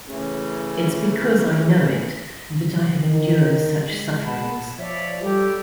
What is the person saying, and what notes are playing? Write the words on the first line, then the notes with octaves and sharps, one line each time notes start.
It's because I know it that I have endured such sufferings.
C#3 E3 A3 C#4
D#3
G#3
F#5 A5 B5
F3 C#5 D5 E5
G3 G4 A4 C#5